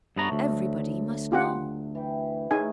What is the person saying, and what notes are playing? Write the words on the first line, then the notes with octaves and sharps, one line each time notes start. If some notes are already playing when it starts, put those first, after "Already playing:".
Everybody must know.
G2 F#3 A3 B3 A#5
D2
F4 G4 F#5
E3 G5
A2 D#4 G#4 G#5